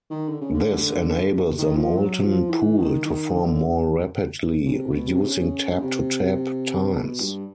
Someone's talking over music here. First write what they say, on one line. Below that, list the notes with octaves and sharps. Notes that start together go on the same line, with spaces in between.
This enables a molten pool to form more rapidly, reducing tap-to-tap times.
D#3
D3
C#3
D3
D#3
F3
F#3
F3
E3
D#3
D#3
D3
C#3
C3
B2
C3
C#3
C3
B2
G2